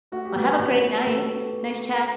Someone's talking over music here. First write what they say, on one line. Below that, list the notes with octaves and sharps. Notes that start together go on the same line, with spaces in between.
Well, have a great night. Nice chat.
A3 F#4
G4
B2 F#4
B2
A3
B2 A3 A4